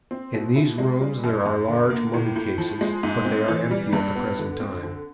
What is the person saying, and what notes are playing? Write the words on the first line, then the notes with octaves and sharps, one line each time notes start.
In these rooms there are large mummy cases, but they are empty at the present time.
C4
B2
E4
G#3
G3
F#2
F#2
D3
A#3
A2
A2
F3
G#3
G#2
C4
E3
G3
G2
B3
D3
C4
D3